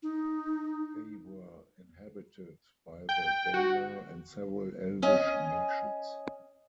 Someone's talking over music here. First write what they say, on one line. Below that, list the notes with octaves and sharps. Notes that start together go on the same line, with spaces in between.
They were inhabited by the Valar and several elvish nations.
D#4
G5
F#4
C#4 D#5 G#5